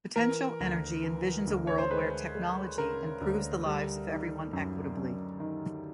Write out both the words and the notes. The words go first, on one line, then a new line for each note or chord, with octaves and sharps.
Potential Energy envisions a world where technology improves the lives of everyone equitably.
E3 A#4
D2
E3
D2
C#5
C5
G#3 B4
G#3
C#3 A#4
D2
G3
D#3
F#2
F#2
D#3